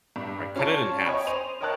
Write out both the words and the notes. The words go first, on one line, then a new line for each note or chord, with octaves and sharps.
right? Cut it in half.
G2
C#4 F4 C#5 D5 A5
C#5 D#5 G5 G#5 B5 C#6
C5 D#7 F7
A#4 C#5 D#5 G5 A5 F#6